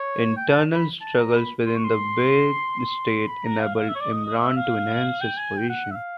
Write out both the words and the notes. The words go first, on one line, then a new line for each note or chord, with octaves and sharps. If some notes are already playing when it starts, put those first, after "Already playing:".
Internal struggles within the Buyid state enabled 'Imran to enhance his position.
Already playing: C#5
G5
A5
B5
A5
A#5
B5
C6
C#6
C6
C6
B5
A#5
F5
F5
E5
C#5
D5
D#5
D#5
E5
F5
G5
G#5
G5
F#5
E5
F5